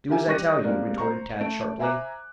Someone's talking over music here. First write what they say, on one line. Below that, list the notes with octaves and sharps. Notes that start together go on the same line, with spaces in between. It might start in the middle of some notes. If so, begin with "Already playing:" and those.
"Do as I tell you," retorted Tad sharply.
G4 A#4 E5 G#5
G3 G4 C#6 F#6 A#6 D#7
G3 G#3 A#3 C4 A#4 D5
C5 A#5 C#6
A3 D7
C5 E5 G#5 A#5 D6 F#6